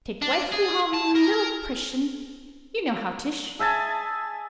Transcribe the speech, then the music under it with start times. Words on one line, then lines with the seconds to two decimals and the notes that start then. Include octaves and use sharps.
Take wifely home li'l preshent--you know how 'tish.
0.22 D4
0.52 G#4
0.93 A5
1.15 A#4
3.59 G#4 E5 G#5 A5